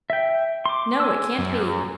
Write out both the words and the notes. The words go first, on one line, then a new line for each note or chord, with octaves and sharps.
No; it can't be!
E5 G5
C6 D6
G#5 E6
F#2